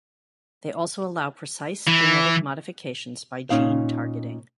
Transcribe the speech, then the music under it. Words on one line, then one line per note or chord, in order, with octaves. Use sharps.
They also allow precise genetic modifications by gene targeting.
E3
A#2 C#4 D#4 F5